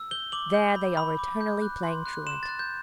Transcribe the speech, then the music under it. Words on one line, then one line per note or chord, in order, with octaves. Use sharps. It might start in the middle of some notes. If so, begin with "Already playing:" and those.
There they are eternally playing truant.
Already playing: E6
G6 G7
D6 F#7
G6
B5
B5
D6
G6
F#6
C6
F#6
C6 E7
A6
F#6
G6